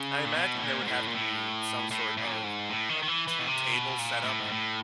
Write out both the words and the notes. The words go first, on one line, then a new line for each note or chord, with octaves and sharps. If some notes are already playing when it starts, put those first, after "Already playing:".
I imagine there would have to be some sort of, like, two-table setup
Already playing: C#3
A#2
B2
A2
A#2
G#2
A2
A#2
A2
A2
A2
A#2
A2
G#2
A2
D#3
D#3
E3
E3
B2
C3
B2
A#2
A2
G#2
A2